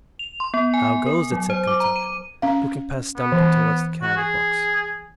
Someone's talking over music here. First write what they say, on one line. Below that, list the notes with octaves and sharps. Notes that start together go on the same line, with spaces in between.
"How goes it?" said Kentuck, looking past Stumpy toward the candle-box.
F7
C6
B3
G#5
A#4
F#3
C5
D6
A#5
D#7
C#4 F5
B3
E3
F#4
G#4